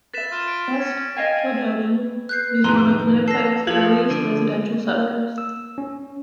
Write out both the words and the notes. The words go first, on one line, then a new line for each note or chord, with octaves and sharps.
West Kildonan is one of Winnipeg's earliest residential suburbs.
B4 E5 A6 B6 E7
F4
D7
C#4
D#5 F5 G5 G#5
B4
F#6 G6 C7
F2 A2 D#3 A#5 C6 F#6
A4 A#6 C7
F3 A4 F5 G#6 F#7
D3
A#3
E6
C#4